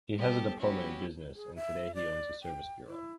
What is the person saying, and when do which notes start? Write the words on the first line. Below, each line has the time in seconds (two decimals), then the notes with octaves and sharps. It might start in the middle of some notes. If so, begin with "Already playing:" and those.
He has a diploma in Business, and today he owns a service bureau.
0.16 G3 B3 G4 A4
0.59 F#3 B3 C#4 E4 F#4 G4
1.36 G#4
1.55 E5
1.95 D5
2.43 G5
2.87 E4